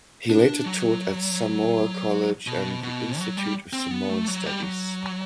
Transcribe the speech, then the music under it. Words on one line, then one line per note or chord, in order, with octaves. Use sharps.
He later taught at Samoa College and the Institute of Samoan Studies.
D4
F#3
B2
B2
F#3
G3
C4
B3
A3
F#3
G3
F#3